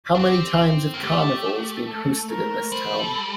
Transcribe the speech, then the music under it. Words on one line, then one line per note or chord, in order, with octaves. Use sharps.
How many times have carnivals been hosted in this town?
D4
C4 G4
A#3
A3 G4
A4
A#4
G3 C5
A4